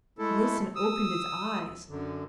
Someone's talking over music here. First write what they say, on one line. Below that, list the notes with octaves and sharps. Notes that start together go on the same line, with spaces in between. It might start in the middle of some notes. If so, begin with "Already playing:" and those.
Wilson opened his eyes.
G#3 A3 E4 A4
D#6 E6
F#2 D3